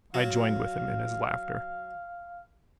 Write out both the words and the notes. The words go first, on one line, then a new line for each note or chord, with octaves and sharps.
I joined with him in his laughter.
F#3 F5